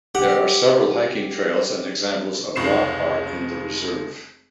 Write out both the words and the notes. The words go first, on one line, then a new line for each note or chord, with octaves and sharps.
There are several hiking trails and examples of rock art in the reserve.
G4 F#5
F1 C#2 D#4 C#6 C7 E7